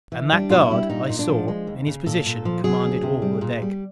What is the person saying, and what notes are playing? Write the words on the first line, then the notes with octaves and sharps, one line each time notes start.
And that guard, I saw, in his position, commanded all the deck.
E3
G3 D4
B2 F4
E4
G3
A#2 D#4
A#2
D4
F3
G#3
D#2
C#3
A#2 A4
A#2
F3
F#3 G#4
D2
C3
G3
A#2
G3